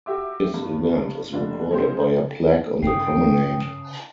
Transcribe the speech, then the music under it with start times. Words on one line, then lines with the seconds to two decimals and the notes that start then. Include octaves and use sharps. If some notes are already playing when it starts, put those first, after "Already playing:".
This event is recorded by a plaque on the promenade.
0.06 F#4 G4 E5 D6
0.54 G2
1.33 F1 A#3 D4
1.70 C#3 G#3 D#4 G4 C5
2.83 G2 C#3 G5 D#6 C7